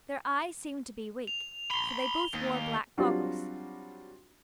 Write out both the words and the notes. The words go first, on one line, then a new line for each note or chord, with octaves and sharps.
Their eyes seemed to be weak, for they both wore black goggles.
F7
B5 C6 G7
D#2
F#3 G3 C4 D4 F4 F#4